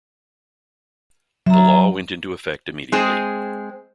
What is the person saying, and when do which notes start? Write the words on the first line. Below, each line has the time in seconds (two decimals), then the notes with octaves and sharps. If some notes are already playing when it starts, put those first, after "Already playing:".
The law went into effect immediately.
1.46 F#3 E5 A#5
2.92 G#3 C4 G#4